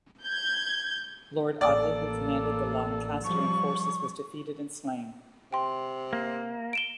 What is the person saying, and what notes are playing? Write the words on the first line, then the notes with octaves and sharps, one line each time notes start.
Lord Audley, who commanded the Lancastrian forces was defeated and slain.
G6 G#6
A1 A#3 A4 D5
F3 G3 C#6
C3 G5 C6
A#3
D7 E7 G7